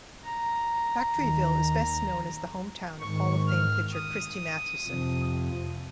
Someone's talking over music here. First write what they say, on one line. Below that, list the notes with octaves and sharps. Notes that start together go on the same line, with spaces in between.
Factoryville is best known as the hometown of Hall of Fame pitcher Christy Mathewson.
A#5
D#2 D#3
G#2 D#3 C#6
F6
D#6
F2 C3 F3